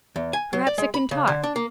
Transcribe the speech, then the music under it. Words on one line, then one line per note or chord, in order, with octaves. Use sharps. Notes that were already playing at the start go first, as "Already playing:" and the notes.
"Perhaps it can talk."
E2
G#5
F#3
D5
G#3
B5
C#3
D3
D4
A#3